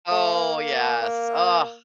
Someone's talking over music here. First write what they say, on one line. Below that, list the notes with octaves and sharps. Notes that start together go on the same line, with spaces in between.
Oh, yes, ugh.
A3
A#3
A#3